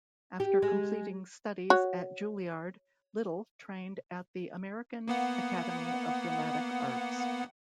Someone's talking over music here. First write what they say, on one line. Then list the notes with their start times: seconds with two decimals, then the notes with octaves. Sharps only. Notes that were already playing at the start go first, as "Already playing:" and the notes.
After completing studies at Juilliard, Little trained at the American Academy of Dramatic Arts.
0.40 G4
0.62 G#3
1.70 F#4 C#5
5.08 A#3 B3 F#5